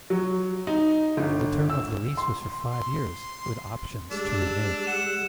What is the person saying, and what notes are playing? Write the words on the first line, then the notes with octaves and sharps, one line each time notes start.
The term of the lease was for five years, with options to renew.
F#3
D#4
G1
E6
C6
C6
G3 G#3 D4 E6
F#5 E7